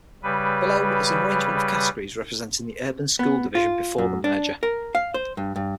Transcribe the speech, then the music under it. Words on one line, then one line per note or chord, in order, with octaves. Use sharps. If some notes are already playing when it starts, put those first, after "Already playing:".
Below is an arrangement of categories representing the urban school division before the merger.
C#3 G3 B4
B3
F4
F#2
D4
A#4
F5
C5
G2
G2